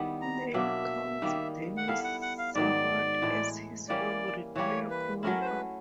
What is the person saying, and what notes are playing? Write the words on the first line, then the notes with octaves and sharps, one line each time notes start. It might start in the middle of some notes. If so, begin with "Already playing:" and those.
Neil counts Denis Savard as his favourite player growing up.
Already playing: D#3 G3 B3 E4
A#5
B2 F#3 A#3 D4 E5
D#3 G3 A#3
F#5
G3 B3 E4 A4 F5
F#5
F#5
F5
G#2 D#3 F#3 D5
A2 E3 G#3
E3 G3 A#3 C#4 D5
E3 G3 A#3 C#5
B4
F#3 A3 C#4 E4 A#4
C5
B4